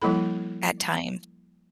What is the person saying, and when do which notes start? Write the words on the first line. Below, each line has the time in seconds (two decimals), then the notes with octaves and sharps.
at times.
0.02 F3 G3 A#3 E4 A4 B5